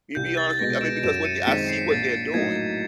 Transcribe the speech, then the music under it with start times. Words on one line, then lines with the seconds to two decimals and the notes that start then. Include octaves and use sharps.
Be be honest with I mean, because what they I see what they're doing.
0.15 C2 G6
0.37 A6
0.53 A6
0.59 B2 G#3 B3 A#6
0.81 D7 E7
1.03 F#2 D7 E7
1.24 C#7 D#7
1.47 D#3 G#3 C4 B6 C#7
1.69 C7
1.91 A#1 A6
2.34 A2 F#3 A#3 D#4 G#6